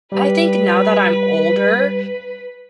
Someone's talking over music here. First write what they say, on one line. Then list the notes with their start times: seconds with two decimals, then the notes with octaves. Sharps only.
I think now that I'm older,
0.12 G3 B4